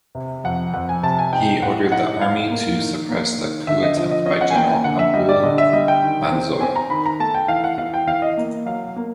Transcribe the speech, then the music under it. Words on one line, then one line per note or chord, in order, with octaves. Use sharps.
He ordered the army to suppress the coup attempt by General Abul Manzoor.
C3
F2 F#5
F2 F#5
G#5
C3 A5
G#5
D#4 G5
A2 F#5
D#4 F#5
A2 F5
A#3
D#3
A#3
D#3
D3 E5
D#5
F3 D#5
D#5
C#4 D#5
F#5
G#5
A#3 G5
G#5
D3 F#5
E5
G3 D#5
D5
D3 D#5
E5
G3 D#5
G5
D#3
C4
C4 G#5
A#5
D#3 B5
A#5
A3 A5
G5
E3 F5
F#5
E3 F5
G5
E3 F5
D#5
A#3
F#3 F5
A#3